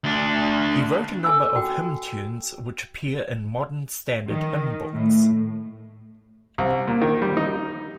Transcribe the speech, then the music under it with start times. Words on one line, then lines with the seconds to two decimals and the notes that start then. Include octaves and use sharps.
He wrote a number of hymn tunes which appear in modern standard hymn books.
0.04 D2 D4
1.24 A4 G#5 E6
1.56 F#4 G5
4.28 D#3
4.94 A2
6.58 C2
6.87 A#2
7.02 D#3
7.22 G3
7.37 D#4